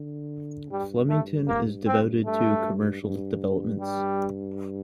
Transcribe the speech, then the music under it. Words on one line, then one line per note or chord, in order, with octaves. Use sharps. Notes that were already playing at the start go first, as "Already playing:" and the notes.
Flemington is devoted to commercial developments.
Already playing: D3
G2 G3
A3
A#3
C4
G2 A3
G2
G3